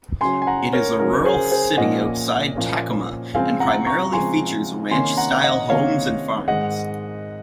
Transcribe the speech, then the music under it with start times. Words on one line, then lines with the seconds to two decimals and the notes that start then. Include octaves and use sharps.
It is a rural city outside Tacoma and primarily features ranch-style homes and farms.
0.21 C#3 F#3 C#4 G#5 C6
0.42 G#5
0.47 F#5 A#5
0.73 A#4 C#5
0.99 C#3 F#3 C#4 A#4
1.25 G#4 C5
1.51 G#4 C5
1.77 A#2 F3 A#3 C#4 D#5 F#5
2.56 A#2 F3 A#3 C#4
3.34 C#3 F3 G#3 C4 F5 G#5
3.60 F#5 A#5
3.87 A#5 C#6
4.13 C#3 F3 G#3 C4 G#5 C6
4.91 C3 D#3 A#3 C#4 G#5 C6
5.17 F#5 A#5
5.43 D#5 F#5
5.69 C3 D#3 A#3 C#4 C#5 F5
6.48 G#2 D#3 G#3 D#5 F#5